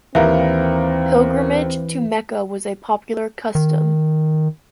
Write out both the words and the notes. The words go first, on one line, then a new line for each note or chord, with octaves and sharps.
Pilgrimage to Mecca was a popular custom.
D#2 E3 C4 A#4 B4 E5 F5
D#3